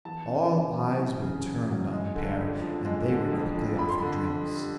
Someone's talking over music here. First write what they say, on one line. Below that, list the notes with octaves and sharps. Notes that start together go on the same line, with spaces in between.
All eyes were turned on the pair and they were quickly offered drinks.
E2 A5
C#3
E2
F#3
E2
C#3
E2
F#3
G#3
D3
F2
F3
G#3
D3
F2
F3
F2 B5
C6
D3 B5
F2
G3